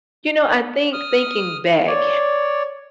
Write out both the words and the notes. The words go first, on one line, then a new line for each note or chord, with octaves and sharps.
You know, I think thinking back,
D#6 F6
C#5 D5